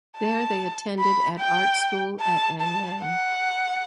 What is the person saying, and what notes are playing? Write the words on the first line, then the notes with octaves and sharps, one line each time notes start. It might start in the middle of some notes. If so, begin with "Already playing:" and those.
There, they attended at Art school at Anyang.
A5
B5
G5
A5
A5
F#5